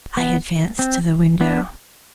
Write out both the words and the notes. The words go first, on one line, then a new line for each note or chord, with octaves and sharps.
I advanced to the window.
B3
C4
B3 D4